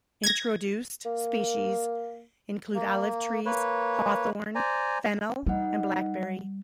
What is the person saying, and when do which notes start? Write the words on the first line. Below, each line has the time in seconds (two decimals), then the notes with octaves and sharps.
Introduced species include olive trees, hawthorn, fennel and blackberry.
0.24 G#6 A#6
1.06 A#3
2.75 A#3
3.46 A#3 B4 C#5
4.55 C5 D5 G#5 A#5
5.46 G3 D#4 B4 D#5 F#5